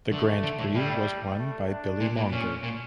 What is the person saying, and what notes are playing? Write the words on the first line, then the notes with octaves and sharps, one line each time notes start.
The Grand Prix was won by Billy Monger.
D3 A3
D3
A2
A2 G3
A3
D4
A#2
A#2
A#2 C#4
A#2